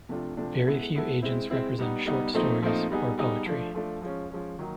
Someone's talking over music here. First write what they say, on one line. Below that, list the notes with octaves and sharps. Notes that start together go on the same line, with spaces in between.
Very few agents represent short stories or poetry.
C3 F3 A3 D4 F4
C3 F3 A3 D4 F4
G#3 B3 E4 A4
G#3 B3 E4 A4
G#3 C4 E4
G#3 C4 E4
G3 B3 D#4
G3 B3 D#4
A#2 F3 A3 C4 D#4
A#2 F3 A3 C4 D#4
G3 B3 D#4 G#4
G3 B3 D#4 G#4
F3 A3 D4
F3 A3 D4
F3 G#3 C#4
F3 G#3 C#4
D#3 F#3 A#3 D#4